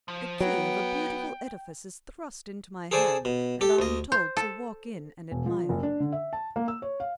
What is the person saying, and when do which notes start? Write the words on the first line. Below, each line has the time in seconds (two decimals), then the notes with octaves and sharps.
The key of a beautiful edifice is thrust into my hand, and I'm told to walk in and admire.
0.08 F3
0.40 F#3 B3 G5
2.91 G#4 A4 C5 D5 G#5 A5
3.25 B2
3.61 G4 A4
3.79 D2 D#5
4.12 C5
4.37 A4
5.31 E1
5.46 F3
5.69 F#1
5.83 D4
6.00 D3
6.12 E5
6.33 A5
6.56 A#3
6.68 E6
6.82 C#5
7.00 F5